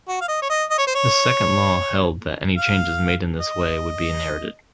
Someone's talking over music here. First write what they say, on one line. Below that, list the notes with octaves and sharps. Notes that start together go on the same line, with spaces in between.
His second law held that any changes made in this way would be inherited.
F#4
F5
D#5
C#5
D#5
D#5
C#5
C5
C#5
F5
D#5